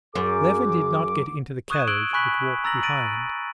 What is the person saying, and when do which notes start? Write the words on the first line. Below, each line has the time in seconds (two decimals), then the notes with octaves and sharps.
Levin did not get into the carriage, but walked behind.
0.15 F#2 G#4 D6
1.70 C#6 D#6 F#6 G#6 D#7 E7
1.88 E6 F#6 G#6 D7 F#7 G7
2.13 G#5 B5 C#6 F#6 B6 F#7
2.64 A#5 E6 A6 A#6 F#7
2.83 A6 A#6 D7 D#7 F#7